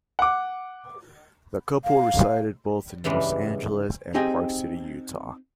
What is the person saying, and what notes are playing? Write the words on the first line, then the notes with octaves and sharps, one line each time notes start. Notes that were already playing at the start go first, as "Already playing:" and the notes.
The couple resided both in Los Angeles and Park City, Utah.
F#5 D6
F5
G2 C#3 E3 G3 G#3
C4 D#4 G4 G#4 D#5 G#5